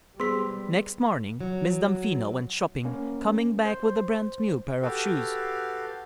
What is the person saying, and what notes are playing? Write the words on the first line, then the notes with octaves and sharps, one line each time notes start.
Next morning Miss Damfino went shopping, coming back with a brand new pair of shoes.
G3 B3 G#4 C5 C6 E6 B6
F#3
A#3 C#4
C5
F#4 G4 A4 B4 F5